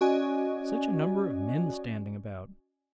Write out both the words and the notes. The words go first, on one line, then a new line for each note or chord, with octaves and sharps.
Such a number of men standing about!
C#4 F#4 D5 D#5 G#5